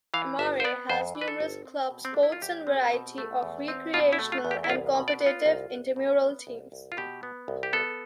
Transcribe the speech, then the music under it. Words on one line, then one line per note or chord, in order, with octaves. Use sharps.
Emory has numerous club sports and a variety of recreational and competitive intramural teams.
E3 F5
G1 E5
C5
B3 D5
F2 C5
E3
B4
A4
G1
C4
B2
C4
A3 D4
E4
F4
E2 G4
C4
B2
A3
E2
C4
B2 F4
E4
A3
F4
E2
G4
E4
C2 F4
B2
D5
B3
F4
C2
C2
B2
B3
C2
C2
F4
B2 G4
B3
C2
G4
B3 A4